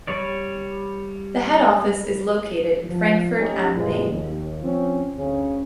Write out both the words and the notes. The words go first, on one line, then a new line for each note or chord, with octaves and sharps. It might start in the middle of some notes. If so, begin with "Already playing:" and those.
The head office is located in Frankfurt am Main.
G3 C#5 D5
F3
A3 C#4 D#4 G4
F#2 A#2 E3 F3 G3 G#3
D#2
F3 C4 C#4
D2 C#3 C#4